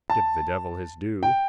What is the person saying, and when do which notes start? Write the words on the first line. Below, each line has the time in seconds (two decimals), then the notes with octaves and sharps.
Give the devil his due.
0.10 A5
1.23 G5